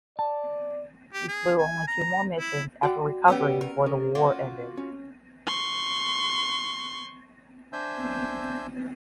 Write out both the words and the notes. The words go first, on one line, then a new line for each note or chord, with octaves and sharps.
He flew only two more missions after recovering before the war ended.
D5 A5
G4
G#4
G#5
A#5
E4
F#4 D5 F#5 G5
G3 B3 C#4 G4 C#5 E6
G4 A#4
C#4 A4
A#3 F4 F#4
C#4
C6 C#6
D4 C5 E5 G#5 E6 G6